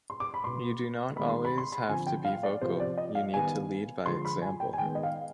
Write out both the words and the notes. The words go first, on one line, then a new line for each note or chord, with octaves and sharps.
You do not always have to be vocal, you need to lead by example.
C6
D6
B5
B2 B3 C6
D#3 G#3 B3 B5
C6
B5
C6
B5
D3 F3 C4 G#5
G5
F5
D5
C3 F3 C4 C5
D5
D#5
F5
D#3 G3 B3 G#5
D3 F3 G#3 C6
B5
G#5
G5
G#5
D#3 G#3 B3 G5
D#5
F5